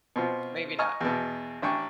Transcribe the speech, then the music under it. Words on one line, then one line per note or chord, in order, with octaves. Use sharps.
Maybe not.
B2 C4 F4
D#5 G#5 A#5 C#6 F6
E2 B2
A1 D4 G5 G#5 C#6